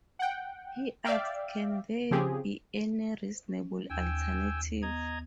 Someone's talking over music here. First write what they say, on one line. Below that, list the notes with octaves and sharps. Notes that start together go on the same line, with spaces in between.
He asked Can there be any reasonable 'alternative'?
F#5 G5
D5 E5 F5 G5
C#3 F3 C4 G4 G#4
C#4
D#2 G5 G#5 E6
B3 D#5 A#5 G#6